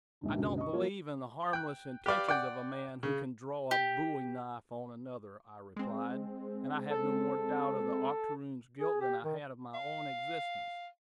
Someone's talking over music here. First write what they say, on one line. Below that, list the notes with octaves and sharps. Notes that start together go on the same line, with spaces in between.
"I don't believe in the harmless intentions of a man who can draw a bowie-knife on another," I replied; and I had no more doubt of the octoroon's guilt than I had of my own existence.
A#1 G#2 D3
F#1 C#2 B2 D3
D#5 C#6
F3 A#3 C#5
G5 F#6
G4 B4 D5 F5
D5 F#5 G5
C#3
G4
G#3 C4
A4
G#4
G4
D#3
F5